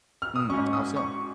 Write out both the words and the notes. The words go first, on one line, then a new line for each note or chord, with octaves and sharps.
Hmm, how so?
F6
D#6
G#2 F#3 C#4 C#6
D#6
C#6